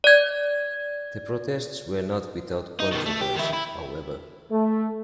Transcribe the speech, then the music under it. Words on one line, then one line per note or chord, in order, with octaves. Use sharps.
The protests were not without controversy however.
D5 G#6
D#4
B2 D#3
A3
G4
D#3 E4
E4
A3